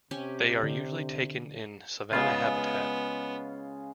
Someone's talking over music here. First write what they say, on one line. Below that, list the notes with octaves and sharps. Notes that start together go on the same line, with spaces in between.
They are usually taken in savannah habitat.
C3 C#4 G4 G#5
D3 D5
C#3 G#3 B3 F4 F5